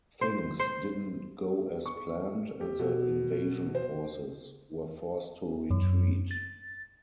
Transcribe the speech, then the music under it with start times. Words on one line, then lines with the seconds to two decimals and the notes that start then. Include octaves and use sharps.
Things didn't go as planned and the invasion forces were forced to retreat.
0.21 C5
0.59 C5
1.86 C#6
2.61 G4
2.79 B2
3.75 C5
5.70 F#2
6.31 A6